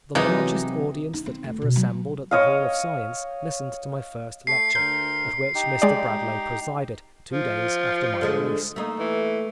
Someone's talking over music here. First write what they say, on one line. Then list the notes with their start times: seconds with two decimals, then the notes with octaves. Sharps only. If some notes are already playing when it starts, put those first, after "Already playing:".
The largest audience that ever assembled at the Hall of Science listened to my first lecture, at which Mr. Bradlaugh presided, two days after my release.
0.15 C3 E3 F#3 G#3 A#3 D#4 F4 B4
1.13 D#4
1.26 C4
1.44 D2
1.62 B2
1.76 F#3
2.31 C#5 D#5 F5
4.47 A3 C7
4.75 D2 A#4 C6 G6
5.55 D#4 G4
5.82 G#3 D5
7.33 F3
8.21 D3 G#3 A3
8.76 A3 A#3 D#4
8.99 E3